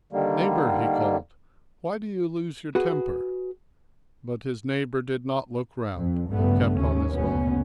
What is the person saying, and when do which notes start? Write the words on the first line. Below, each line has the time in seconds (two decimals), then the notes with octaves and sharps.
"Neighbour," he called, "why do you lose your temper?" But his neighbour did not look round, and kept on his way.
0.13 D3 D#3 G3 A#3
2.75 F#4 G#4 B4
5.97 F2
6.29 A#1 G2 C#3 A3 B3
6.79 D#2 C#4
7.13 F#1 D2 B2 B3 C#4